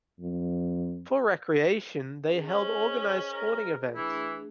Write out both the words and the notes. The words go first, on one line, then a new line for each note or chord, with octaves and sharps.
For recreation, they held organized sporting events.
F2
C#4 G#4 A#4
C#4 G#4 C5 D#5
A#4
E3 A3 D4 E4 G#4